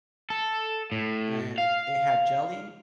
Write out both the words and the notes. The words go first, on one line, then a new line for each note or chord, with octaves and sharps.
and it had jelly
A4
A2
F5